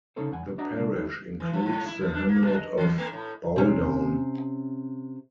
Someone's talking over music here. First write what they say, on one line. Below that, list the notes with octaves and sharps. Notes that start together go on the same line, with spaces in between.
The parish includes the hamlet of Bowldown.
C#3 A3 C#4 D#4 A4 C5
E2 F#5 G#5
B1
D4 F#4 D#5 E5 A#5
G2 C3 G#3 A3 D4
D#4 E4 A4 C#5 G5
E3
F3
G#2
E4
F3
D4
A#3
A#2
D#5
E3
A3
A2
C3 C#4